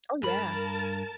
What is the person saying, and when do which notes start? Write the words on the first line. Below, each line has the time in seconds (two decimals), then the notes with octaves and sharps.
Oh, yeah.
0.23 G2 A#4 A5 B5